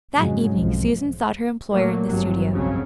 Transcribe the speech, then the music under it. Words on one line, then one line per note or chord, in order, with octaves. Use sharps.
That evening Susan sought her employer in the studio.
F2 G#2 C#3 F3 F#3 G#3
B1 F2 F3
A#2 F#3 A3 A#3
G#1 G2 C3 F#3
B1 F2 C#3 F#3